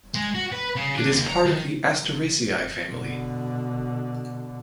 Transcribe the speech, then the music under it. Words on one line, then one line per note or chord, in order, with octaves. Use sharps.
It is part of the Asteraceae family.
G#3
F#4
B4
C#3
D4
D#2
A#5
D#3
B2 D3